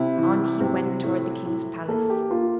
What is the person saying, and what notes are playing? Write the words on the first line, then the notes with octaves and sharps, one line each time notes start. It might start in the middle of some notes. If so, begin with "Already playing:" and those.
On he went toward the king's palace.
Already playing: C3 E4
E3
C3
A2
A2
A#3 A4
G4
A#3 F4